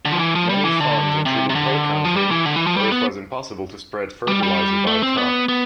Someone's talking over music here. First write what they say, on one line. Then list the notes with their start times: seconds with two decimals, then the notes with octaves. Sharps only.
Many farms included hill country, where it was impossible to spread fertiliser by truck.
0.05 D3
0.12 F3
0.19 E3
0.35 F3
0.50 G3
0.65 E3
0.80 D3
1.25 C3
1.49 C3
1.55 D3
2.05 F3
2.16 G3
2.31 E3
2.46 D3
2.56 E3
2.67 F3
2.77 G3
2.92 B3
4.28 G3
4.43 G3
4.87 A3
5.03 C4
5.17 B3
5.49 B3